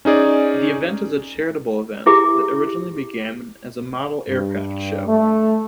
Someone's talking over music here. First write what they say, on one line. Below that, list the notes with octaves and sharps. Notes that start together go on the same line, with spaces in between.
The event is a charitable event, that originally began as a model aircraft show.
C#4 D#4 G#4 D5
E4 G4 G#4 E5 D6
G2
A3